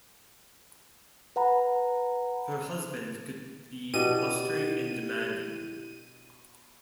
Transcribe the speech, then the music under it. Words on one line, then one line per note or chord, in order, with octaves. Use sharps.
Her husband could be blustery and demanding.
B4 F#5 A#5 B5
B2 D4 E4 G4 D#7